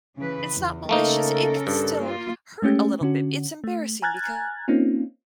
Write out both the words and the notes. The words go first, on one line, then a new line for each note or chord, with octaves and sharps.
it's not malicious, it can still hurt a little bit. It's embarrassing because,
C#3 E3 B4
E2
C#3 A3 A#3 D#4 A4 A#4
G2
A#3 F4
G#3 A3 C#4 G4
D3 C#4 F#4
A3
G#5 A#5 F6 F#6 G#6 A6
A#3 C4 C#4 D#4 F4